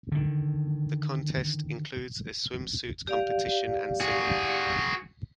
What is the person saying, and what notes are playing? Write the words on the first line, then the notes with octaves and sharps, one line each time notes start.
The contest includes a swimsuit competition and singing.
D3 D#3
G4 D5 F5
F#4 G#4